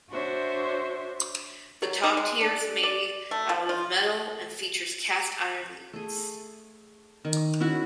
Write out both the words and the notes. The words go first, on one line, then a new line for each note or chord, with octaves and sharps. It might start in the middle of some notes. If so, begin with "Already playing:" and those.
The top tier is made out of metal and features cast iron leaves.
D4 F#4 C5 C#5 E5
F#3
D#4
G#3
D4
D5
A3
F3
F4
A3 G#4
D#3
C#4 E4 F#4 F#5